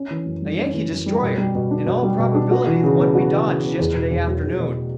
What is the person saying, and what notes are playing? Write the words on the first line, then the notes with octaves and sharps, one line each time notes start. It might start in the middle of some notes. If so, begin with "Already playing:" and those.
"A Yankee destroyer--in all probability the one we dodged yesterday afternoon."
Already playing: C#4
E3
F#2
G3
C#4
E3
F#2
G3
B2
G3
B2
D4
B2
G3
B2
D4
F#4
E3
C#3
B3
F#4
E3
C#3
B3
E2
B2
E2
F#3
E2
B2